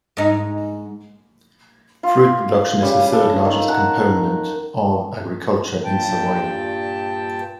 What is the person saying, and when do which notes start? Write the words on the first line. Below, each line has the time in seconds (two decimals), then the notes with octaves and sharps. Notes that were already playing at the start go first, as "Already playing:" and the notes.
Fruit production is the third largest component of agriculture in Savoie.
0.17 G#2 D#4
2.03 F4
2.82 C#3 G3
3.13 A4
3.45 D#3
3.68 F#5 A5 A#5
5.85 G2 A#2 G5 A5